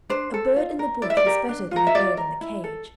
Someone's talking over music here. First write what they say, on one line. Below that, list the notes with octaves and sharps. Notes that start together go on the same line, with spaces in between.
A bird in the bush is better than a bird in the cage.
D4 C5
A4
F4
A#4
E4 D5
E5
D5
G4 A#4
D4
F4 A#4
E5
F4 D5
A#4
E4
A4